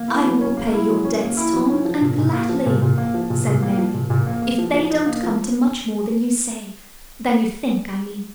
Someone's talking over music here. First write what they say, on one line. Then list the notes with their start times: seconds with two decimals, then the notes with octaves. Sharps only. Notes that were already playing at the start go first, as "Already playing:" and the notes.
"I will pay your debts, Tom, and gladly," said Mary, "if they don't come to much more than you say--than you think, I mean."
Already playing: A#3
0.08 E4
0.24 F#3
0.41 C#4
0.57 A#3
0.73 E4
0.89 F#3
1.05 C#4
1.21 A#3
1.37 E4
1.53 F#3
1.70 C#4
1.85 F3
2.01 A#2
2.18 A#2
2.33 A#3
2.49 F3
2.66 A#2
2.82 A#2
2.98 A#3
3.14 F3
3.30 A#2
3.47 A#2
3.62 A#3
3.78 F3
3.94 A#2
4.10 A#2
4.27 A#3
4.42 A#3
4.58 F3
4.74 F3
4.91 D#4
5.07 A#3
5.23 F3